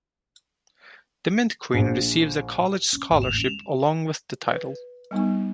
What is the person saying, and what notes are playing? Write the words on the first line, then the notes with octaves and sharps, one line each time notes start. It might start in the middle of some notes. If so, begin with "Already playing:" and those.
The Mint Queen receives a college scholarship along with the title.
A#1
C#4
G#1 D#2 A2
E7 F7
G#3 C#4
B4
G3 B3 D#4